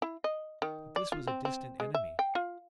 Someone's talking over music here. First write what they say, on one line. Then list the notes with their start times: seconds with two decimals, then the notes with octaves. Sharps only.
But this was a distant enemy.
0.02 E4
0.24 D#5
0.62 D#3
0.96 D5
1.12 F4
1.27 C4
1.45 C4
1.80 G#3
1.94 E5
2.19 G5
2.35 F4